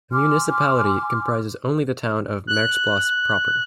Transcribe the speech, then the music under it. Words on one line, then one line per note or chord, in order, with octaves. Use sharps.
The municipality comprises only the town of Merksplas proper.
G#5 C6 D6 F6
F#6